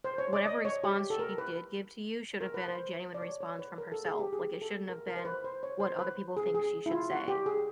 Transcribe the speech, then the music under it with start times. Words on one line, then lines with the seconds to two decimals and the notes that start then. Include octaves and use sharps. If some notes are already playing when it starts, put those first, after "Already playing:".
whatever response she did give to you should've been a genuine response from herself. Like, it shouldn't have been what other people think she should say.
0.04 C5
0.18 C#5
0.33 D5
0.46 D#5
0.65 C#5
0.84 G4
1.10 A4
1.19 A#4
1.38 B4
2.41 A#4
2.54 B4
2.68 C5
3.14 D5
3.22 C#5
3.40 C#5
3.59 B4
3.78 A#4
3.92 A4
4.05 G#4
4.19 G4
4.33 G#4
4.62 A4
4.89 A#4
5.07 A#4
5.17 C5
5.25 B4
5.44 C5
5.63 C#5
5.80 C5
5.99 B4
6.37 G#4
6.55 G#4
6.86 E4
6.91 F4
7.10 F#4
7.28 G4
7.46 G#4